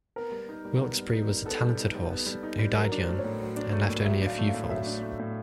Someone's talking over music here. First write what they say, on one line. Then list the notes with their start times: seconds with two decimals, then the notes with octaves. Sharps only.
Wilkesberry was a talented horse who died young and left only a few foals.
0.16 B3 A#4
0.32 G3
0.49 D#4
0.65 G3
0.81 B3
0.97 G3
1.13 D#4
1.29 G3
1.46 B3 A4
1.61 G3
1.77 D#4
1.95 G3
2.10 B3
2.26 G3
2.43 D#4
2.59 G3
2.75 F#3 A#4
2.92 D4 C5
3.08 A3
3.19 C#5
3.24 A2
3.40 F#3
3.56 D4
3.73 A3
3.89 A2
4.05 F#3 E5
4.22 D4 F5
4.38 A3
4.49 F5
4.54 A2
4.70 F#3 E5
4.86 D4
5.03 A3
5.19 A2